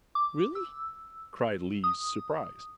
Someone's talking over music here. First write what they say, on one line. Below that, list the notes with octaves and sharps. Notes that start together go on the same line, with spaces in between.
"Really?" cried Lise, surprised.
D6
E6
D#6